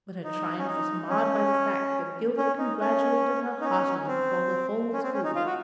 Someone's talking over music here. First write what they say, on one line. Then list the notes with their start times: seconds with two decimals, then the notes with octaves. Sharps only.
But her triumph was marred by the fact that Gilbert congratulated her heartily before the whole school.
0.24 D#4
0.58 C#4
0.67 D#4
1.09 C#4
2.37 C#4
2.58 D#4
2.80 C#4
3.60 D#4
3.64 C#4
4.07 C4
4.93 C#4
5.03 C4
5.13 C#4
5.24 D#4
5.35 F4
5.46 F#4